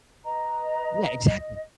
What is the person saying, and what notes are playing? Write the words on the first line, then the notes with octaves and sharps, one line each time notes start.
Yeah, exactly.
B4 D#5 A#5
D#5